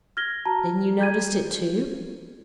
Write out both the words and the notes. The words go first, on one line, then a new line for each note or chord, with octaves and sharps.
'Then you noticed it too?'
F6 G#6 A#6 G7
F#4 A5 A#5
G#4 G6 G#6 D#7